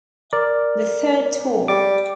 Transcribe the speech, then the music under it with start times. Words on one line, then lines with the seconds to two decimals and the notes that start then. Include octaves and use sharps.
The third tour.
0.33 A#4 D5
1.68 G3 D6